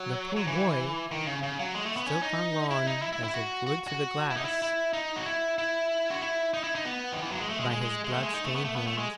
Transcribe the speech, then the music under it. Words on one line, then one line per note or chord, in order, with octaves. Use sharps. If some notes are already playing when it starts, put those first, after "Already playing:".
The poor boy still clung on as if glued to the glass by his blood-stained hands.
Already playing: F#3
F#3
E3
D#3
C#3
C#3
F#3
G#3
A3
B3
C#4
D#4
E4
D#4
E4
E4
E4
F#4
F#4
F#4
E4
D#4
E4
E4
D#4
F#4
E4
E4
F#4
E4
D#4
E4
D#4
B3
D#3
E3
F#3
G#3
A3
G#3
G#3
G#3
G#3
A3
G#3
D#4
A3
B3
A3
B3
A3
G#3